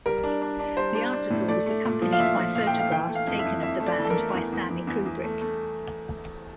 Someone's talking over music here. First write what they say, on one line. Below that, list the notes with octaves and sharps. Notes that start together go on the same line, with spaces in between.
The article was accompanied by photographs taken of the band by Stanley Kubrick.
G3 A#4
D4
D4
D4
G3 C5
D4
D4
A2
A3 D5
A3
A#2
F3
F5
A#2 E5
F3
A#2 F5
G5
A3
F5
E3 G5
A3
F5
F2
E5
F2
F2 E5
A3
D5
E3
A4
A#4
A3
E2
E2
E2
E2
E2
A3
A3